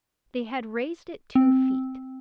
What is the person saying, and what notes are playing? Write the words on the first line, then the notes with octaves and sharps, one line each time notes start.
They had raised it two feet.
C4